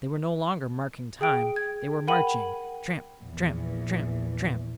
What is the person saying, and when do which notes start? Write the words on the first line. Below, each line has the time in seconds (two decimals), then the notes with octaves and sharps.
They were no longer marking time, they were marching; tramp, tramp, tramp, tramp.
1.21 G#4 G5 D7
1.56 G#6
2.07 A#4 F#5 G5 B5 D#7 F#7
3.21 A#1 E2